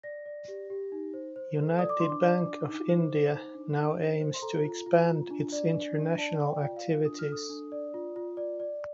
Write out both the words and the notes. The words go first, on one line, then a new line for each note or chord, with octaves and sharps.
United Bank of India now aims to expand its international activities.
D5 A#6
D5
G4
G4
D#4
C5
C5
A4
D5 D#6
D6
D4 C6
D6
D5
D4
D#4
C5
C5
D#4
D4
D4
C5
C5
C6
A4 A#5
F4
F4
F4
D4
D5
D4
D4
D5 A5
D5
G5
F4
F5
F4
D4 D#6
F6
A4 D#6
D4
D5
F4
F4
D5
D5